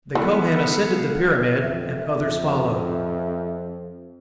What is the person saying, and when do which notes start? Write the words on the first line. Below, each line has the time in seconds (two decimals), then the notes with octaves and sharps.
The Kohen ascended the pyramid, and others followed.
0.15 E3 G#3 B3 A4 F5 F#5
1.62 F2 E5
2.17 F2